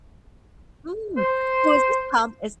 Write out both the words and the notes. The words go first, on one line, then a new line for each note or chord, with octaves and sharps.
Mm! So is this com is
C5